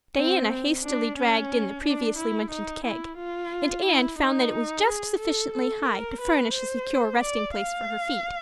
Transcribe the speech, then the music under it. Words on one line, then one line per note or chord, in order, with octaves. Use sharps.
Diana hastily dragged in the previously mentioned keg and Anne found that it was just sufficiently high to furnish a secure resting place for her feet.
C4
D4
C#4
D4
E4
D#4
E4
F4
E4
D#4
G#4
A4
A4
A#4
B4
C5
D5
F5